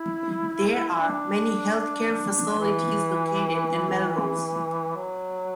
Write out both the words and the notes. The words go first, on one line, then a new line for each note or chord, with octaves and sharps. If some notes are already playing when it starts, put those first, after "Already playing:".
There are many health care facilities located in Melrose.
Already playing: E4
D4
E3
F#3